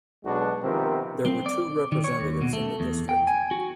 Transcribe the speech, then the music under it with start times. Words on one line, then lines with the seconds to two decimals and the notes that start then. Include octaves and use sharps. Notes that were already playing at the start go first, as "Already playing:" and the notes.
There were two representatives in the district.
0.23 B1 B2 G#3 D4 F#4
0.63 C3 D#3 F3 B3 C4 A#4
1.26 C4
1.46 D5
1.92 D#3
2.04 C#5
2.20 D#2
2.41 B2
2.53 A3
2.80 E2
3.09 G5
3.27 G#5
3.51 F#4